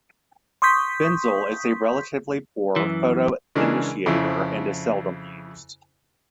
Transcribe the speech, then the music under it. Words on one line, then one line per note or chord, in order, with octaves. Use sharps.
Benzil is a relatively poor photoinitiator, and is seldom used.
C6 C#6 D#6 G6 B6
F#2 E3
C#3 E3 G#3 D4 A#4
F2 C#3 E4